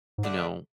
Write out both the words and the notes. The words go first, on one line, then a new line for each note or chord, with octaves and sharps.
you know
G#2
D3 A3 D4